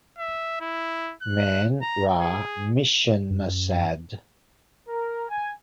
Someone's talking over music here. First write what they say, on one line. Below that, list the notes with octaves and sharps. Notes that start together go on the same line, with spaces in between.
Man ra mishenasad.
E5
E4
F#6
A#5
G#4
F#2
A#4
G#5